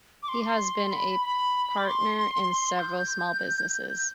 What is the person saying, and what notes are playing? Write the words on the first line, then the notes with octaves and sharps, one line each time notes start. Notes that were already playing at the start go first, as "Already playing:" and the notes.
He has been a partner in several small businesses.
D6
C6
B5
B5
D6
C6
G6
G6